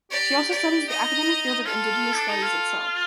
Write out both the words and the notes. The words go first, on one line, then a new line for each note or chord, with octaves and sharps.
She also studies the academic field of indigenous studies itself.
G4 D5
G4 D5
D#4 D#5
F4 A4
D4
D#4
F4